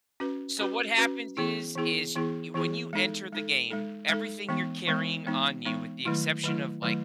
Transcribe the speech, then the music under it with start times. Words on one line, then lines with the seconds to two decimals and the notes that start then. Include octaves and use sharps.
So, what happens is, is you when you enter the game, everything you're carrying on you, with the exception of, like,
0.20 C#4 F#4 B4
0.59 C#4 F#4 B4
0.98 C#4 F#4 B4
1.37 E3 B3 E4 G#4
1.75 E3 B3 E4 G#4
2.15 E3 B3 E4 G#4
2.54 E3 B3 E4 G#4
2.93 G#3 D#4 A4
3.32 G#3 D#4 A4
3.71 G#3 D#4 A4
4.09 G#3 D#4 A4
4.49 E3 G#3 B3 D#4
4.88 E3 G#3 B3 D#4
5.27 E3 G#3 B3 D#4
5.65 E3 G#3 B3 D#4
6.05 D#3 F#3 A3 E4
6.44 D#3 F#3 A3 E4
6.82 D#3 F#3 A3 E4